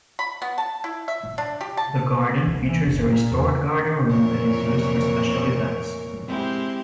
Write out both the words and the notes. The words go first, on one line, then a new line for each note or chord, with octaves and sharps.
The garden features a restored garden room that is used for special events.
B5
B3
A5
E4
E5
D4
G4
A5
C2
E3
F#1
A#2
E2
F2 A#2 E3 A#3 A#4 C#5
G#3 C4 E4 G4